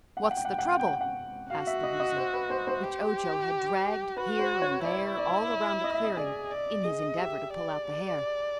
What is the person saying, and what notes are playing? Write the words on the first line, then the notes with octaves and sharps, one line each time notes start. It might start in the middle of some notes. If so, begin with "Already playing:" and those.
"What's the trouble?" asked the Woozy, which Ojo had dragged here and there all around the clearing in his endeavor to pull out the hair.
F#5
G5
F#5
G5
F#5
G5
F#5
G5
F#5
G5
F#5
G5
F#5
F#4 F5
E5
D#5
D#5
C5
B4
C5
C5
G4
F#4 B4
C5
C#5
E4 D5
D5
D#5
E5
D#5
G#4 D5
D5
G#4 D#5
G4 E5
D5